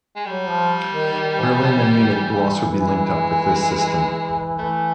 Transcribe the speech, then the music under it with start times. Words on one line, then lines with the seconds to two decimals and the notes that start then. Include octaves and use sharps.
Berlin and Munich will also be linked up with this system.
0.16 G#3
0.26 F#3 G3
0.49 F3
0.92 D#3
1.14 D#3
1.41 E3
1.61 F3
1.70 E3
1.89 D#3
2.00 E3
2.86 G#3
4.59 E3 A3